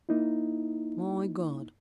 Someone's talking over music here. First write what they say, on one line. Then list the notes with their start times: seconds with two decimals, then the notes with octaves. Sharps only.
My God!
0.09 A#3 D#4 E4